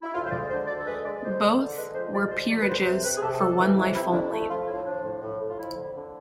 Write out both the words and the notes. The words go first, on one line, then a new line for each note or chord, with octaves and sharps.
Both were peerages for one life only.
E4
D2 F4
C5
G#3 D5
D3 C5
D2 D5
A4
G#3 B4
G#3 D5
F2 C5
D3
D3
G#3 B4
F2 C5
G#3 D5
D2 C5
D2 D5
B4
D2 C5
C3 C5
C3 B4
G#4
C3 A4
F2 A4
E3
F2 E4
C3 E4
F2 D4
A3 E4
F3 F4
A2 E4
F3 D4
A2
A2
A2
F4
F2 E4
D3
D3